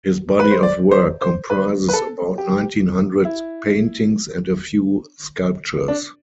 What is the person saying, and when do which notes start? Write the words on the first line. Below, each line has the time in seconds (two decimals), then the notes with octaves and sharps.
His body of work comprises about nineteen hundred paintings and a few sculptures.
0.39 B4
0.51 C5
0.63 D5
0.91 C5
1.21 C5
1.50 B4
1.89 B4
1.93 A4
2.38 G4
3.25 E4
5.88 D4